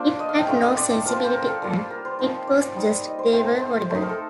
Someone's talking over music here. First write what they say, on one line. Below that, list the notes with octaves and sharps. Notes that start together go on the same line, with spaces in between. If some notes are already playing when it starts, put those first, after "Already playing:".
It had no sensibility and it was just...they were horrible.
Already playing: A#3 D4 F4 C5 D5
D#5
F5
G5
A3 D4 F4 F5
D#5
D5
F3 C4 F4 A#4
C5
A#4
A4
G3 A#3 F4 A#4
A#4
C5
F3 C4 D#4 C5
D5
G3 C4 D#4
D#5
C5
A3 C4 F4 C5
A#4
C5
A3 D#4 C5
A#4
A4